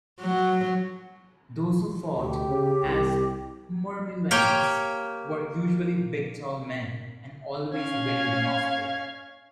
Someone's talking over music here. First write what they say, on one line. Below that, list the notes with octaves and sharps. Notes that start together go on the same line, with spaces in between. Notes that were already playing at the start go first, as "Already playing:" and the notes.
Those who fought as murmillones were usually big tall men and always very muscular.
F#3
D2 G4
C#3
C2
A#3 G4 C#5 G5
C#4 F5 G#6